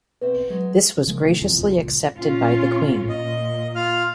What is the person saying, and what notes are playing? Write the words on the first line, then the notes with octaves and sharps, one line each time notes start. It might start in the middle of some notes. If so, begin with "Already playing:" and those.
This was graciously accepted by the Queen.
B2 C4 B4 E5
F#3 G#3
C#3 F3 G#3 A#3
B2 D#3 A3
E2 C3 E3 F3
F#1 E2 C#3 F3
C#2 A#2
A#2 C#4 F4
A#2 D#5
F4 F5 F6